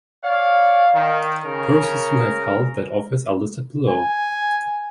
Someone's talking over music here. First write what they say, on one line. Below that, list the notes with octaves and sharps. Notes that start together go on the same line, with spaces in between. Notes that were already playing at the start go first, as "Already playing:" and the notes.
Persons who have held that office are listed below.
C#5 D5 F5
D#3
C#3 A#4
G#5